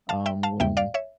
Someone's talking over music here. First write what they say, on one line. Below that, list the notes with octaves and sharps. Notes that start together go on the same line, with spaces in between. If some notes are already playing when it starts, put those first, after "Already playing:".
um, when
F5 A5
E5 G5
F5 A5
E2 C#3 G3 A#3 E5 G5
D5 F5
C#5 E5